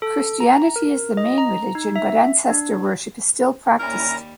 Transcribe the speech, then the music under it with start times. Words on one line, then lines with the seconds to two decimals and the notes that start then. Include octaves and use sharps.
Christianity is the main religion, but ancestor worship is still practised.
0.02 A4
0.40 A#5
0.76 A#4
1.17 D#5
1.38 A#5
1.75 D#4
1.96 E5
2.50 D4
3.79 D#2 G3 C#4 E4 A#4 A#5